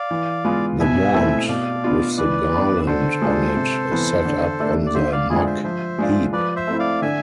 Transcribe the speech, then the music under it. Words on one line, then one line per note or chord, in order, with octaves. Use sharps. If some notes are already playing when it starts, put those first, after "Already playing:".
The wand with the garland on it is set up on the muck-heap.
Already playing: D5 F5
E3
G#3 B3 F4
B2 E5 G#5
A3 C4 E4
B2 D5 F5
B3 D4 F4
E3 B4 D5
B3 D4
D3 A4 C5
G#3 D4 F4
C3
E3 B3
D3
A3 D4
D5
D3 C5 E5
D5 F5
G#3 D4 E4 F4 G#4
C5 E5
F3 C5 E5
G#3 D4 F4
F3 B4 D5
C5 E5
A3 C4 E4
D5 F5
D3 E5 G#5